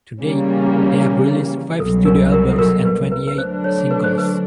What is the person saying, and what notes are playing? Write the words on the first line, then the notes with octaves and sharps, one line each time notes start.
To date, they have released five studio albums and twenty-eight singles.
C#3 E3 G3 A#3 C#4
C2 B2 F#3 A4
A#4
A#4
A4
A#4
B4
B4
B4
D3 F#3 A3 D4 C5
C#5
B4
C5
B4